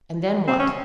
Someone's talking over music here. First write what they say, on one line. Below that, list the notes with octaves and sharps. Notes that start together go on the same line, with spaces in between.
"And then what?"
C4
C#4